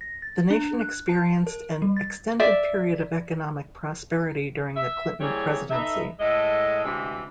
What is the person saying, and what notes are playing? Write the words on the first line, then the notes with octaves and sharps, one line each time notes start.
The nation experienced an extended period of economic prosperity during the Clinton presidency.
A#6
A6
D4
F#6
A5
A#4
G3
A6
D5 E5
E5
E3 G3 A#3 C4 G#4 C#5
D#4 A4 B4 E5
A2 G#3 A4 D#5
D2 C3 E3 G#3 C4